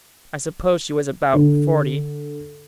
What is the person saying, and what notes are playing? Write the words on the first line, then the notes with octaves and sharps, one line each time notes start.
I suppose she was about forty.
D3